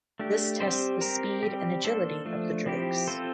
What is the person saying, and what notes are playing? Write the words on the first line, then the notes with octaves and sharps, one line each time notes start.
This tests the speed and agility of the drakes.
A3 D4 G4
G3 C4 G4 C5
C4 G4 A#4
G3 C4 G4
A#3 D4 A4 C5
F3 A3 D4
F3 C4 E4 G4
C4 F4 A4 C5